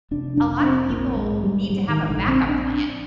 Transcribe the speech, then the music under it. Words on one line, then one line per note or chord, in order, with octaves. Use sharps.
a lot of people need to have a backup plan
F1 D4
D4
F1
C4
A#1 A#3
G#3
G#2
G3
G#2 G3
D#3
D#3
A#1 D3
C4
D4